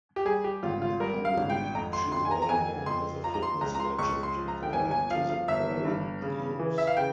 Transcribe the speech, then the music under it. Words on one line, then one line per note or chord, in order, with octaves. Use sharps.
In Hungary, she is well-known as a "fitness legend" according to The Curling News.
G4
G3 G#4
G4
G#1 F4
F4
G3 A#4
F5
G#1
G5
F2 A#5
C6
F2 C6
G#5
A#5
A#5
F2 G#5
F2 C6
F3 A#5
A#5
C6
C#2 A#5
A#5
C6
C#2 C#6
C6
F3
A#5
G5
G1 G#5
G#5
F3 F5
F5
G1 E5
G2
C#3
E3
E5
F5
C#3 G5